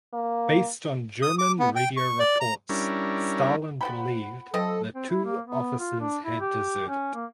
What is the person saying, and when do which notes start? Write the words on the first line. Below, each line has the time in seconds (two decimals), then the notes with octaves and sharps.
Based on German radio reports Stalin believed the two officers had deserted.
0.13 A#3
1.22 D#6
1.39 D6
1.59 B3
1.76 G5
1.97 C#6
2.19 D5
2.41 A#5
2.69 G3 C#4 D4 E4 A#4
3.81 F3 C5 F#5 G5 B5
4.54 F3 F#3 C4 A4 D#5
4.95 C4
5.10 E4
5.25 A#3
5.47 B3
5.79 F4
6.00 D4
6.24 E4
6.40 G4
6.88 C#4
7.14 A#3